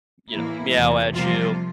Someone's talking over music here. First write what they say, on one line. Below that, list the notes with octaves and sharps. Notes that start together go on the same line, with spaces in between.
you know, meow at you.
A2 E3 A#3 E4
E2 C3 E3 A3
C3 F3 G3 A#3 F4